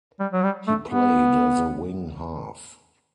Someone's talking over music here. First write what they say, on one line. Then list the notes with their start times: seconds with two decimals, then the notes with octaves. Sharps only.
He played as a wing half.
0.20 G3
0.33 F#3
0.43 G3
0.67 A3
0.90 B3